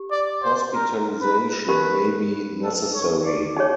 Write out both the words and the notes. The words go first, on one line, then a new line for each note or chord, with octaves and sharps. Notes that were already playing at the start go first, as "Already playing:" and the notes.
Hospitalisation may be necessary.
Already playing: G4
D5
C5
A#4
B4
D#4 G4 A#4 B4
A4
C#5
D5
D#4 G#4 C#5